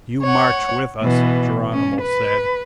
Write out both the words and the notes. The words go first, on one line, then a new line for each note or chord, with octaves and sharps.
"You march with us," Geronimo said.
C#5 F#5
B2 E3
C#4
B4